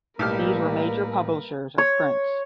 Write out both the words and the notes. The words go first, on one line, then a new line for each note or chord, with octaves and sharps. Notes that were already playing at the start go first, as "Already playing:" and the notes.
These were major publishers of prints.
B1 A2 G3 A#3 G4 A#4 B4 F6
C#5